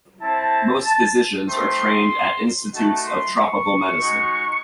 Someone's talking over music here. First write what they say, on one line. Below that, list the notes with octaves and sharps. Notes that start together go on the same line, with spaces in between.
Most physicians are trained at Institutes of Tropical Medicine.
C4 E4 A5
A5
A3 C4 D#4 C6
A3 D#4 F#4 A5
C6
C#6
G#3 D#4 F#4